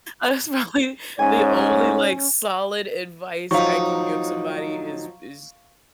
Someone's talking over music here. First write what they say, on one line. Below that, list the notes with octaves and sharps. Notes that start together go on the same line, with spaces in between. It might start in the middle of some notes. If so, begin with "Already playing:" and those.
That is probably the only, like, solid advice I can give somebody is is
G#2 C#4 C#5 G#5
A2 F3 F#3 D#4 F5 C#6